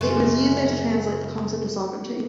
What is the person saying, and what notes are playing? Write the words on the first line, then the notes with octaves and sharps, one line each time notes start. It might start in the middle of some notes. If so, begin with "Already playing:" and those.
It was used there to translate the concept of sovereignty.
F#2 C#3 F4